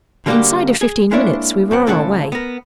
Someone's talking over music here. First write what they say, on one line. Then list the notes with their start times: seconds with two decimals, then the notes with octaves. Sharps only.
Inside of fifteen minutes we were on our way.
0.26 D3 G3 A#3 B3 F#4 G4
0.81 G#4
1.11 G#3 A#3 D4 E4 C#5 D5
1.71 F#2 C4 F#5
1.87 C#2 A2 C#4 A4 C#5 F#5
2.32 B3 A#4